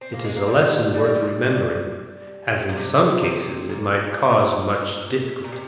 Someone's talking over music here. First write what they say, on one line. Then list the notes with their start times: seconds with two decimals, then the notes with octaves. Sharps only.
It is a lesson worth remembering, as in some cases it might cause much difficulty.
0.01 C4
0.14 A#3
0.24 G#3
0.36 A#3
0.47 G3
0.94 G3
2.69 A#2
2.78 C3
3.24 C3
3.69 A#2
5.44 A#2
5.52 C3